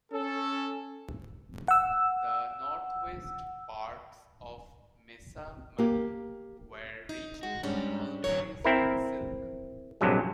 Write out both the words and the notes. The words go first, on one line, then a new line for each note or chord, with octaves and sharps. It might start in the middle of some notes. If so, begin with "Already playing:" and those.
The north-west parts of Mesa Mani were rich in mulberries and silk.
C#4 A4
F#5 E6
A#3 G4
D#4
G#3 F#4
G#2 G3 G#3 C#4 D4
D3 F#3 C#5
C4 E4 A#4
A#1 G2 C3 F#3 G#3